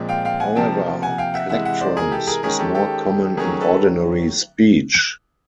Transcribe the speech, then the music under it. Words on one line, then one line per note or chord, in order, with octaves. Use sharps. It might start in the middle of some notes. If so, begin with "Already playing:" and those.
However, "plectrums" is more common in ordinary speech.
Already playing: A#2 F3 G#3 C4
F5 G5
F5 G5
F#5 G#5
C3 F3 A#3 G5 A5
F#5 G#5
F5 G5
E5 F#5
C3 E3 G#3 E5 F#5
E5 F#5
C5 D5
G#4 A#4
G4 A4
G#4 A#4
D#3 G#3 C#4 G#4 A#4
G4 A4
G4 A4
D#3 F#3 A3 C#4 G#4 A#4
A4 B4